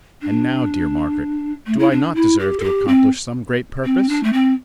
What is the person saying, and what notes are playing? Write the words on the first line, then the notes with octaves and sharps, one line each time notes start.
And now, dear Margaret, do I not deserve to accomplish some great purpose?
D4
A3
E4
D4
E4
G4
A4
G4
C4
C4
D4
A3
C4